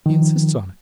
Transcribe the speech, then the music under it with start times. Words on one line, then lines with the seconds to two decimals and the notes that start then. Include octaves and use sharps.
"He insists on it."
0.06 D#3 F3